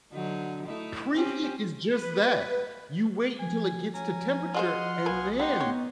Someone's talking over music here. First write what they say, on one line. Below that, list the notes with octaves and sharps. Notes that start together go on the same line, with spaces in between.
Preheat is just that, you wait until it gets to temperature, and then
D3 F#3 D#4
A3 D#4 E4
C4 C#4 G4
B4
F3 G#5
C#4 G#5 A#5
F4 G#4 C5 D#5 F#5 C6 F6
B1 A#3 F#4 B4 G#5 D#6
C4 D#4 G4 B4 F#5 C6
B3 C#5